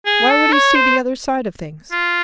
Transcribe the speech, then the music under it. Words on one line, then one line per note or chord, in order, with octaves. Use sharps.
Why would he see the other side of things?
G#4
A4
C#5
C5
F4